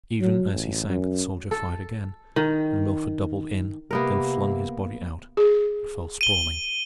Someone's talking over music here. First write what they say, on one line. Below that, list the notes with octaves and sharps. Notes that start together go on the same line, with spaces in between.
Even as he sank the soldier fired again, and Milford doubled in, then flung his body out, and fell sprawling.
F#3
A1
F#2
A4
D#3
C3 A#3 B3 A#4
G#4
D#7 G7